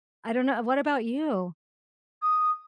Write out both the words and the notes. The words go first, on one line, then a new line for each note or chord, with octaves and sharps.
I don't know What about you?
D#6